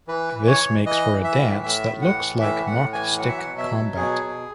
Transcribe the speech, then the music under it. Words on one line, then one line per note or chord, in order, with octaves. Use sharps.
This makes for a dance that looks like "mock stick combat".
E3 B4
E3
C#5
E3
E3 D#5
E3
E5
A2
A2 E5
A2
F#5
E3
A2 E5
A2 F#5
E3 G#5
F#3 F#5
E5
F#5
B2
E5
F#3
B2 G#4
B2